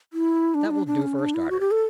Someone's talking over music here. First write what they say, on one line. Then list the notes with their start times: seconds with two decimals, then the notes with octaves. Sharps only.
That will do for a starter.
0.13 E4
0.55 D4
0.65 E4
0.71 D4
0.87 D4
1.02 C#4
1.19 D4
1.34 E4
1.50 F#4
1.60 G4
1.71 A4